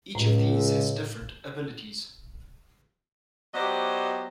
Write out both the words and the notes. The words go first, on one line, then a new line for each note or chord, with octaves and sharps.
Each of these has different abilities.
C#2 A2
F#3 B3 G4 C5 D5 D#5